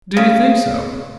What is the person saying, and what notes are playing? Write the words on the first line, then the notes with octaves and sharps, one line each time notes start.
"Do you think so?"
C#3